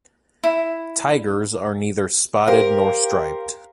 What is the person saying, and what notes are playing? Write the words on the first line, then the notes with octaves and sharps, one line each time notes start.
Tigers are neither spotted nor striped.
E4
G4 A#4 C5 F5